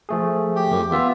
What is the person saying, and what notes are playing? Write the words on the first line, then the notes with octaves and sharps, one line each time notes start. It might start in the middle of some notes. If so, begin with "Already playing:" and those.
Uh huh.
F3 A3 G#4
G4
B3 F4 E5